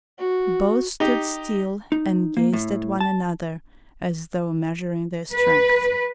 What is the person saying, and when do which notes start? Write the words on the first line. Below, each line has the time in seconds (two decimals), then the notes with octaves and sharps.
Both stood still and gazed at one another, as though measuring their strength.
0.19 F#4
1.00 D#4 G4
1.92 D#4
2.37 A#3
2.53 A2
3.00 A5
5.32 B4